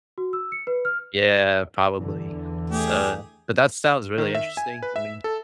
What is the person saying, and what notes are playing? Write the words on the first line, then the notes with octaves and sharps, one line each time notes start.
Yeah, probably s uh, but that sounds really interesting, I mean.
F#4
E6
C#7
B4
F6
E2 D3 E3
A3 G4 G#4
D#3
E5
G#5
B4
E5
A4